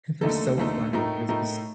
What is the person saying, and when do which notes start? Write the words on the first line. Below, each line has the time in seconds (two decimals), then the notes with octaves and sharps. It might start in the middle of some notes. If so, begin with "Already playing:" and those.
They're so funny. It's just
0.21 D#2 D3 A3 D#4 A4
0.57 D#2 D3 A3 D#4 A4
0.93 A2 A3 D#4 A#4
1.28 A2 A3 D#4 A#4